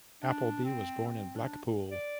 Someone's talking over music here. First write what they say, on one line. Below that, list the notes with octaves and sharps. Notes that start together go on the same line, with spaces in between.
Appleby was born in Blackpool.
D4
C4
C4
D4
D5